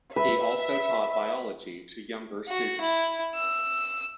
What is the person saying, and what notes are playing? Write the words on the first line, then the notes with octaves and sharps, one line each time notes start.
He also taught Biology to younger students.
B4 E5
F#4
E4
E6